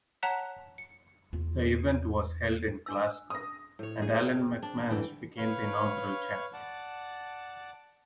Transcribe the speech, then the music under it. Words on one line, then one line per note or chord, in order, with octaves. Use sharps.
The event was held in Glasgow and Alan McManus became the inaugural champion.
C#5 F#5 A5 A#5 F#6 B6
C#7
E2 F4
D4 E6
D#6 A#6
A2 C#5
G#4
C4 A#4
D4
D3 E3 G3 G5
B4 C#5 F5 C#6
D5 F#5 A5